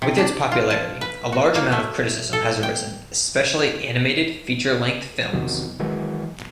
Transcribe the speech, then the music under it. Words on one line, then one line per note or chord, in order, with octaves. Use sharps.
With its popularity, a large amount of criticism has arisen, especially animated feature-length films.
C3
D4
F4
A5
B4
F#4
A#3
A3
A4
G5
E2 C3 D#3 F#3
D#3 E3 F#3 G#3